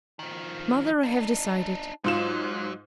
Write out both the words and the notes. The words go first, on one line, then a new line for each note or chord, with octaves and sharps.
Mother, I have decided!
D#3 F3
D4 D#4
G#2 F#3 F4 E7